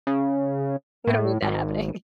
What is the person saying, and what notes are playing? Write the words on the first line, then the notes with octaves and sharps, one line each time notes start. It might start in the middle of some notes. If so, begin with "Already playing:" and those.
We don't need that happening.
C#3
A2
G#1